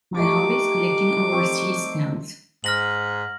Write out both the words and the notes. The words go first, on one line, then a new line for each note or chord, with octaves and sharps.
My hobby is collecting overseas stamps.
A3 D#4 G4 D5 D6
C4 C#6
G#2 F6 A#6 F#7